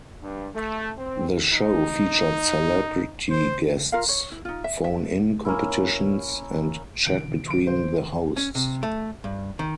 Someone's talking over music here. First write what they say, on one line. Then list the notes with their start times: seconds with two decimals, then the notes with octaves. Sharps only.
The show featured celebrity guests, phone-in competitions and chat between the hosts.
0.22 G2
0.55 A3
0.98 C4
1.52 D#4
3.30 C5
3.92 F4 A#4 F5
4.09 C#5
4.32 E4
4.45 D#4 F4
4.64 E5
4.84 E5
5.45 A#3 C#4 E4
7.07 B2 D3 E3 D7
7.50 D7
7.67 C5
8.36 C#4
8.55 C3
8.83 A3
9.24 G2
9.59 D#3